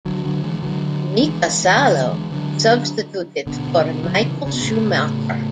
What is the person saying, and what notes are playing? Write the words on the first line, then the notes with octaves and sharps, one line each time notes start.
Mika Salo substituted for Michael Schumacher.
D3 F#3
D3 F#3
E3 G#3
D3 F#3
E3 G#3
E3
D3 F#3
E3 G#3
D3 F#3
B2 D3
D3 F#3
C#3 E3
C#3
B2
A2 C#3